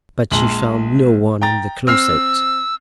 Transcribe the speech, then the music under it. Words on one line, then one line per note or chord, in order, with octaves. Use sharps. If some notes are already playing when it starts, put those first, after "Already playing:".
But she found no one in the closet.
A#1 G#3 F#7
G5 A#5 A6
C4 E6 F6 C7